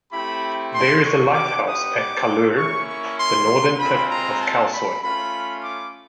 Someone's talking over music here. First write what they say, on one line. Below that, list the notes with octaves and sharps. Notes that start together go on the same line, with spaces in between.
There is a lighthouse at Kallur, the northern tip of Kalsoy.
A3 C4 E4 G4 B5
C6
C#6
B3 D#4 G4 D6
D#6
D6
A#3 C#4 E4 C#6
C#6
C6
G#3 C4 F4 B5
A#5
A5
B5
A3 C#4 F4 B5
D6